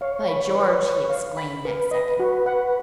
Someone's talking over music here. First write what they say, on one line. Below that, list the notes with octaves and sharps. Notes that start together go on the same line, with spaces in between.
"By George!" he exclaimed, next second.
C#5 F5
B5
B4
B4
F5
B5
A#4 B4
D#5
F#4
F#5